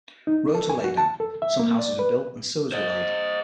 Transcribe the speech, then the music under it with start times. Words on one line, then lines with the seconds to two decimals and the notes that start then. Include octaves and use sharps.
Roads were laid out, some houses were built and sewers were laid.
0.27 D#4
0.55 A4
0.70 G#5
0.84 F#4
0.97 A5
1.20 A4
1.42 E5
1.59 A#3
1.79 D5
1.99 B4
2.72 C5 D#5